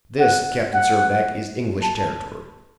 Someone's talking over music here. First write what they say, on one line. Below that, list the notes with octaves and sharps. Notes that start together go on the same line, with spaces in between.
This, Captain Servadac, is English territory.
F#5
F#5
A5